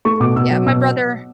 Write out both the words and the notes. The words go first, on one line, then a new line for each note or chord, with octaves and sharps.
Yeah, my brother
A3 C#6
B2 D6
B2 E6
F#3
B2 E6